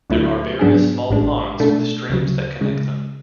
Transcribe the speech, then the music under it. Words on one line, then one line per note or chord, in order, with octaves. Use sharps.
There are various small ponds with streams that connect them.
D2 D3 F#3 A3 E4
G#2 F#3 B3 D4 G#4
A1 A2 G#3 D4
B2 A3 D4 A4
D2 C#3 F#3
C#3 G#3